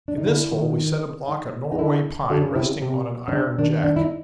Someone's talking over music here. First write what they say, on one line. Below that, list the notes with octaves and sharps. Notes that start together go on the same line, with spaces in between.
In this hole we set a block of Norway pine resting on an iron jack.
D4
D#4
D3 E4
D#3
D#4
D#4
D3 E4
D3 F#4
C#3
C3 E4
C#3
C3
C#4
C#3 D4
D#3 D4
D4
E4
D#4